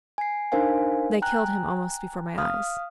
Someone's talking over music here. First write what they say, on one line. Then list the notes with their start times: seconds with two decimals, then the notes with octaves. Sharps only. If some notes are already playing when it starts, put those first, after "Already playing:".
"They killed him almost before my eyes."
0.18 G#5 C7
0.52 D4 D#4 A#4 C5 F5 G#5
1.22 G5 G#5 A#5 F#6
2.38 F5 D#6 F6